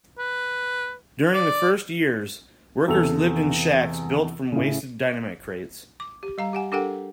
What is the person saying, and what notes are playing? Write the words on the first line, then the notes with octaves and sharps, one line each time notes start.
During the first years, workers lived in shacks built from wasted dynamite crates.
B4
D5
E2 C3 A4 E6 F7
A2 C#3
D6
G4
G3 F5 A#5
G4 F#5 G#5
D4 G4 A4 A#4 F#5 G5